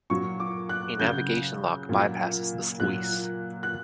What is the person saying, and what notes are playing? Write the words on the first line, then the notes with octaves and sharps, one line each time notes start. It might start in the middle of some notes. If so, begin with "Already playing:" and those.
A navigation lock bypasses the sluice.
A#2 F#3 C#6
D6
F#6
C#3 F#3 G6
A#2 F#3
A#2 F#3 F#6
F#6